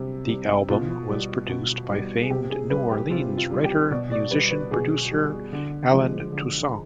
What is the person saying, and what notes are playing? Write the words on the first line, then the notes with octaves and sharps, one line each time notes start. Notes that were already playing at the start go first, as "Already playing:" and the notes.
The album was produced by famed New Orleans writer-musician-producer Allen Toussaint.
Already playing: C3 G3
G3
B2 F4
G3
B2
G3
G#4
C3 G4
G#4
G3 B4
G4
C3 F4
F4
G3
G4
B2 D5
D5
G3 B4
B4
B2 G#4
G3
D3
F3 G#3
D3